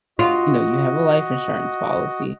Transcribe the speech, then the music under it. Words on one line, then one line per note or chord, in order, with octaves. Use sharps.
you know, you have a life insurance policy,
F4 F#4 D#5